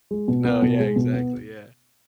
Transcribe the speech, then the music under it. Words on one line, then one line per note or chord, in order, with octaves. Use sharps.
No, yeah, exactly, yeah.
G#3
B2
B3
B2
G#3
B2
B3